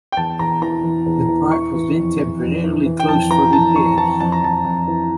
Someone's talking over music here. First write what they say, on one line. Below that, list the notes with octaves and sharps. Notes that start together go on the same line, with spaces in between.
The park was then temporarily closed for repairs.
G5
E2 A5
E2 A#5
E3 A#5
E3
E2
E3
E3 C#6
E3
F2
E3
F2
E3
E3
G5
F2 A5
E3 A#5
F2 A5
F2 C#6
E3 A5
F2 A5
A#5
F2 A5
F2
E3